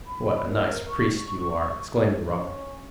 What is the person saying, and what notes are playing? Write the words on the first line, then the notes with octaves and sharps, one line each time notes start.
"What a nice priest you are!" exclaimed the robber.
B5
A#4
C#6
C#4